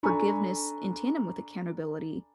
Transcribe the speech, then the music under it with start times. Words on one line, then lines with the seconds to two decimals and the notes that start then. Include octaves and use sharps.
forgiveness in tandem with accountability,
0.03 D4 A4 G#5 A#5 B5 C#6